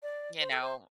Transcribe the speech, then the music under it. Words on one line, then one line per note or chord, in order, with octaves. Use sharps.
you know,
D5
C5
A4
C5